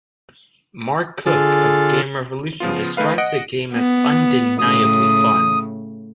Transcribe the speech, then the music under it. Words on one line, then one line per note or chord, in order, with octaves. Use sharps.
Mark Cooke of Game Revolution described the game as "undeniably fun".
D3 F4 G#4 A4
C#3 F3 B3 F4
C#2 D#3 A3 B4 F5
D#5 F#5 D7
B3
A2 C#3 D#6